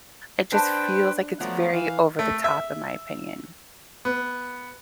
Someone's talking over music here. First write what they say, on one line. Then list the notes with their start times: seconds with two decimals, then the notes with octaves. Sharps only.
It just feels like it's very over the top in my opinion.
0.52 D4 B4 C5 G5
1.40 F3 F#3 A3 B3 D5 F#5
1.72 E3 F5
2.19 A3
2.44 E5
4.05 B3